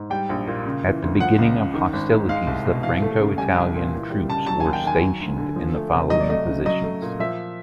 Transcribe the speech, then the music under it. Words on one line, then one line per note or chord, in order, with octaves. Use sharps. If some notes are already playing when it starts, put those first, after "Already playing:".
At the beginning of hostilities, the Franco-Italian troops were stationed in the following positions.
Already playing: G#2
G3 G5
A#1
A#2
C#3
E3
D2
F3 F#5
C#2
C#3
D#3
G#1
G#2
G#3 F5
C2
B2
E3 F5
A3
C#3
G3 G#5
C2
A#2
E3
G3
C#3 A5
F#3 A5
G#5
D#2
G5
D#3 G#5
F#3
D2
D3
F3
A3
C3
F#3 D#5
D5
A3 D#5
C#3
F#3 D#5
A3
A#2
F3 E5